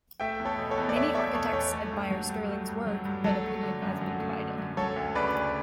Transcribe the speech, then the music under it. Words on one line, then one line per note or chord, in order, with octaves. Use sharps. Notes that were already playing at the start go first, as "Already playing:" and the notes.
Many architects admire Stirling's work, but opinion has been divided.
A3 E5 G5
E2
A4 C#5
B2
A4 C#5
E2
D5
A3 C#5 E5
E2 C#5 E5
B2 A4 C#5
E2 A4 C#5
A3
G2
F#3
G2
A3
G2
F#3
G2
F#3 A4
A3
D3
F#2
F#3
A3
D3
F#2
F#3 A4 C#5
D2
C#3 B4 D5
D2